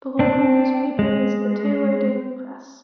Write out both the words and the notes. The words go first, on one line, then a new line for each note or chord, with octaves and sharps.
The local newspaper is the "Taylor Daily Press".
C4 D4
G#3